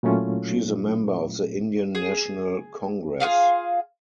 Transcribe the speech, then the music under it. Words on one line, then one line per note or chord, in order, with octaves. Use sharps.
She is a member of the Indian National Congress.
A#2 F#3 A3 C#4 E4 F4
G#4
F4 F#4 G#4 F5